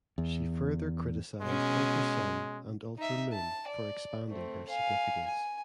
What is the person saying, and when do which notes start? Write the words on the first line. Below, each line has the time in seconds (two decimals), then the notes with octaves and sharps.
She further criticized "Ultra Sun" and "Ultra Moon" for expanding her significance.
0.18 E2
1.41 B2 G#3 C#4
2.98 D#4 E5
3.33 A5
3.67 D5
4.29 A3 C4
4.69 F5 G#5
5.26 G#5